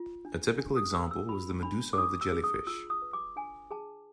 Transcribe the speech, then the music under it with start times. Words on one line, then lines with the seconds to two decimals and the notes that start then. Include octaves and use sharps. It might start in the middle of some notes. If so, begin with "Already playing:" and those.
A typical example was the medusa of the jellyfish.
Already playing: F4
0.25 D4
0.59 D4
0.77 D#6
0.94 A#4 E6
1.11 E6
1.28 F4 B5
1.63 D4 B5
1.93 D6
1.97 D4 D#6
2.21 E6
2.32 G#4
2.44 D#6
2.67 F4 E6
2.90 D#6
3.02 B4
3.13 D6
3.36 D4 G#5
3.71 G#4 A5